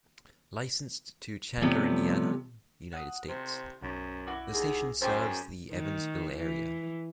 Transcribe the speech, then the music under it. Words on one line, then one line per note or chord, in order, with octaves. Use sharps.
Licensed to Chandler, Indiana, United States, the station serves the Evansville area.
A2 C3 F3 G3 B3
F#5 D#6
C3 C5
B1 F#2
E4 F#4 D5
D#2 G#4
F#2 G#4 C5 G5 D6
D#3
E3